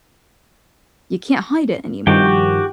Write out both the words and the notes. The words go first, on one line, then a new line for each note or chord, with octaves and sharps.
You can't hide it anymore.
G2 D#3 F3 F#4 G4 G5